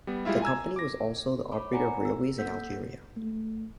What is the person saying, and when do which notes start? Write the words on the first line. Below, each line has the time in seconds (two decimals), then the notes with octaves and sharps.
The company was also the operator of railways in Algeria.
0.07 G3 B3
0.25 G3 G#3 E4 F4 E5
0.42 G#5 A#5 E6 G#6
0.76 D6 A#6
1.52 C#5 B5 D6
1.72 D5 F#5 G#5 A#5 C#7
2.05 E6
2.38 A#3 A4 F#5 E6 G6 B6
3.16 A3